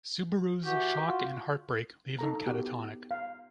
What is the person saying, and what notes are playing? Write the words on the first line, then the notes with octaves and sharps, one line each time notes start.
Subaru's shock and heartbreak leave him catatonic.
E3 F#4 G4
F4 F#4
D#4 A4 A#5
B3 F#4 G4
F5